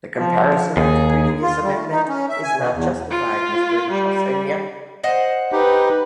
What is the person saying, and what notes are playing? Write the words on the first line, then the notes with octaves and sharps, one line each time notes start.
The comparison with the previous amendment is not justified, Mr. Chassaigne.
F3
D#2 G#4
F4
G3
A3
D#4
C#4
E5
G#5
B2
E2
F4
G3
C5 D#5 F#5
D#4 G4 B4